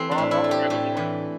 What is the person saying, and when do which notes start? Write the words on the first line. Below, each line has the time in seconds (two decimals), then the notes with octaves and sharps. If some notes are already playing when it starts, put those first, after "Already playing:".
Bro, I love The Mandalorian.
Already playing: E3 A3 C4 G4
0.11 D4
0.18 A2
0.31 E4
0.44 A3
0.51 G4
0.70 A2 G4
0.97 E3